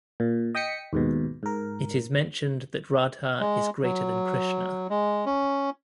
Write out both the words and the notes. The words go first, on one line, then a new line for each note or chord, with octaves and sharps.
It is mentioned that Radha is greater than Krishna.
A#2
D#5 G5 D#6 B6 C#7
D#2 G#2 B2
G#2 A#4
G#3
F#3
G#3
C#4